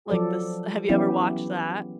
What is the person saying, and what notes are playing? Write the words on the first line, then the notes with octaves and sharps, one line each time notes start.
Like this have you ever watched that?
F3 F#3 A4 D5
E3 F#3 B3 C#4 E4 G4